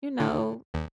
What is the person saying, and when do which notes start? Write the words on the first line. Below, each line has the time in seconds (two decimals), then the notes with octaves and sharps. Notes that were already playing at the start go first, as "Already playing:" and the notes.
you know,
0.20 D3
0.74 D#2